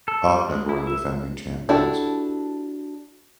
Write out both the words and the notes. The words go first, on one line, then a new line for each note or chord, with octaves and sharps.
Auckland were the defending champions.
A4
G3
G#3
E4
E5
D4 E4 F#4 G4 A4